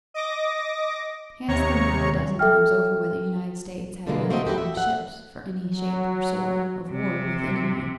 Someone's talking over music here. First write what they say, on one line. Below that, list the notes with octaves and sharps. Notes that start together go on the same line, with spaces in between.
He asked them half-a-dozen times over whether the United States had enough armed ships for any shape or sort of war with any one.
D#5 D6 A#6
D#2 C3 C#5 A#5 C#6 C#7
A4 E5 G5 F6
B2 D3 E3 G3 G#3 A#3
A3 A#3 C4 F#4 D#5 G5
E4 F#4 G4 A4
E5
F#5
F#3
C3